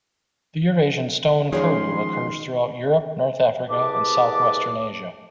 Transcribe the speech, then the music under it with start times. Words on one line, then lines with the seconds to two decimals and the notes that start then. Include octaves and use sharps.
The Eurasian stone curlew occurs throughout Europe, north Africa and southwestern Asia.
1.52 D#3 F3 G#3 C#4 G#4 C6
3.69 C2 G#4 B4 A5 D6